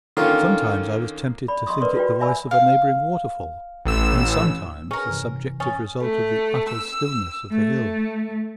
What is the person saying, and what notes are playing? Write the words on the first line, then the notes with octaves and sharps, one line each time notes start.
Sometimes I was tempted to think it the voice of a neighbouring waterfall, and sometimes a subjective result of the utter stillness of the hill.
D3 D#3 A#3 C#4 F4
D5 B5
D#5 C6 C#6 D#6
A#4 B4 D5 C6 D#6
F4 F#4 B4 D5 G5
D5 E5 G#5 B5 E6
F5
A1 E6
C#4 G#4 A#4 B4
G2 C3 E3
C#4 G#5 D#6 A6
A3
E6
A3